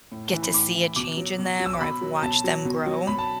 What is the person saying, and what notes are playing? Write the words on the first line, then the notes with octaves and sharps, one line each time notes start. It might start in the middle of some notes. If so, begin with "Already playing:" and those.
get to see a change in them or I've watched them grow.
A2
E3
B5
A2 D6
E3
B2 D6
F#3
B2
F#3
E6
D6
B2 B5
F#3
B2 A5
F#3
B2
F#3
B2 B5
A5